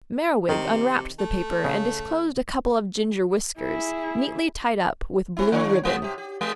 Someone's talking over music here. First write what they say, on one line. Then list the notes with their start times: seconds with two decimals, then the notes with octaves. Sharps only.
Merriwig unwrapped the paper, and disclosed a couple of ginger whiskers, neatly tied up with blue ribbon.
0.49 C3 D#3
1.19 A3
1.64 C#3
3.59 E4 G#4
5.37 C4 E4
5.52 D#3 D4 C#5
5.83 G#3 F#4
6.02 C3 G4
6.18 G4
6.41 G#3